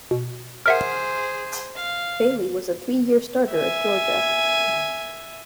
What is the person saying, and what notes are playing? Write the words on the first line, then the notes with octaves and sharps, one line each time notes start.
Bailey was a three-year starter at Georgia.
B2
G#4 A#4 C5 E5 F#5
F5
E5 G#5